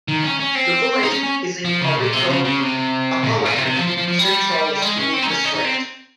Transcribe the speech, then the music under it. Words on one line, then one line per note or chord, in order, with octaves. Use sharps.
The village is in the Owego-Apalachin Central School District.
D#3
C#4
C#4
C4
D#4
C#4
C#4
F3
C#3
A#2
C3
C#3
C#3
C3
A#2
G#2
A#2
C3
C3
F3
F3
F3
F3
G3
G#3
C#4
C4
D#4
C#4
D#4
D#4
C4